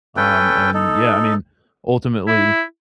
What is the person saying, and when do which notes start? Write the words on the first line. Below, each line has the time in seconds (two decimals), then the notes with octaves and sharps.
Um, and yeah, I mean, ultimately
0.17 C#4 A4 B4 G5
0.74 D#4 A4
2.27 E4